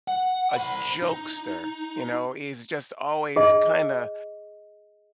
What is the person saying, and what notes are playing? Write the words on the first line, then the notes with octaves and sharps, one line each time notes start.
a jokester, you know. He's just always, kinda
F#5
C5 B5
D#4
G#4 D#5